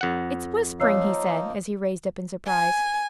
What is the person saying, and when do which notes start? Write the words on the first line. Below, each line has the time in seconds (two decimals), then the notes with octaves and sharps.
"It's whispering!" he said, as he raised up in surprise.
0.01 F2 F#5
0.80 F3 A#3 D#4 C#5 E6 C7
2.47 G#5